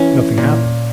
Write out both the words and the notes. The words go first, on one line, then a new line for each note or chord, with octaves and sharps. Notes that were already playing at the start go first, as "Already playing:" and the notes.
Nothing happened.
Already playing: E3 C#4
A#2